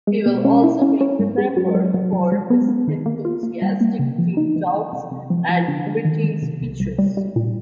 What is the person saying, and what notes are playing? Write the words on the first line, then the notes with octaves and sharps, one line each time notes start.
He will also be remembered for his enthusiastic team talks and witty speeches.
G#3
B2
C#4
E4
C#4
C#4
G#2
G#3
F#3
F#3
F#3
F#3
G#3
B3
B3
D#3
A#3
F4
A#3
G3
A#3
C#3
F3
D#4
E3
E3
C3
C3
F3
F3
D3
G#3
D#3
D#3
C3
C2
C2
G3
G3
A#2